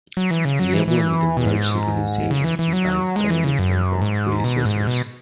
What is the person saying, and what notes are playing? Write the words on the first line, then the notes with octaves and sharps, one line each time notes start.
The emblem of the merged organization combines elements of both predecessors.
F#3
E3
C#3
F#3
E3
E3
B2
G#2
C#3
E3
E3
F#3
G#3
E3
C#3
F#2
G#2
B2
G#2
B2